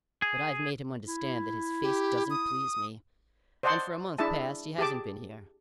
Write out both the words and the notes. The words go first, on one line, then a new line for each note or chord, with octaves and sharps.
But I've made him understand that his face doesn't please me, and, for a month past, he hasn't been here.
G#4
E4
G4
D#6
C5 D5 D#5 F#5 A5 C6
D4 E4 G#4 E5 A5
G4 G#4 A5 D6